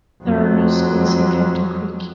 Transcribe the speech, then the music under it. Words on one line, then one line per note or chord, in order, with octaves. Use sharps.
There are no schools in Captain Creek.
F2 F#3